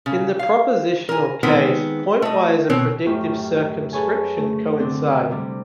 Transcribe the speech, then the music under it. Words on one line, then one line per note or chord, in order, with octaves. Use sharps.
In the propositional case, pointwise and predicate circumscription coincide.
C#3
F5
A#4 G#5
D#3 G#3 B3 C4
A3 D#5
B2 C4 F#4 C#5
F#2 A2 F4 G4
G#4 A4 B4 C#5 G#5
A3
D3 C4 D4
C3 G3